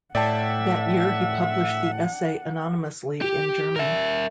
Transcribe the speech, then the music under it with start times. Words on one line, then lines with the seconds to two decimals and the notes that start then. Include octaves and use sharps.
That year he published the essay anonymously in German.
0.15 A2 D5 E5 F#5 G5 A5
3.21 G4
3.76 A#4 E5